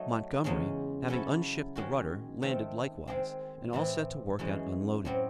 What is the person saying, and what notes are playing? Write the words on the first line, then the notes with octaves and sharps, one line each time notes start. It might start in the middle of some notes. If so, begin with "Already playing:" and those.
Montgomery, having unshipped the rudder, landed likewise, and all set to work at unloading.
Already playing: F#3 A3 D#4
E2 C#3 G#3 C#4
F#3 C#4 E4 A4
D#3 G#3 C#4 F#4
D#3 A3 C4
D#3 G#3 C4
A2 E3 C4
F#2 E3 G#3 C#4 G#4
A2 F#3 C4